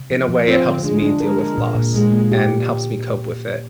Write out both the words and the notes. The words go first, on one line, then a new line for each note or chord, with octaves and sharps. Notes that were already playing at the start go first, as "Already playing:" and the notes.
in a way it helps me deal with loss, and helps me cope with it.
Already playing: C3
F3
F3
C4 F4
D3
G#3 D4
D4
G#3 A#4
A#4
A#2
A#2
A#2 G#3
A#3
G4